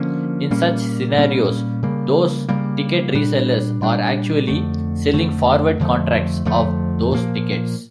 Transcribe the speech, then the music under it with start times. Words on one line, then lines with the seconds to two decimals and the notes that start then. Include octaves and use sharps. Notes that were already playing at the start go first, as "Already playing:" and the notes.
In such scenarios, those ticket re-sellers are actually selling forward contracts of those tickets.
Already playing: D3 F3 A#3 C#4
0.51 A#2 G3 A#3 C#4
1.17 A#2 G3 A#3 C#4
1.83 C#3 G3 A#3
2.49 C#3 G3 A#3
3.15 A#2 G3 D4
3.81 A#2 G3 D4
4.47 F2 D3 A3
5.13 F2 D3 A3
5.80 F2 D3 F3 A3
6.45 F2 D3 F3 A3
7.12 A#2 F3 A#3